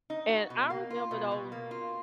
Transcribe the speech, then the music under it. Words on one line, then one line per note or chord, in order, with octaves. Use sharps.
and I remember those
D#4
F#4
B2
A#3
F4
B2
B2
A#3
F4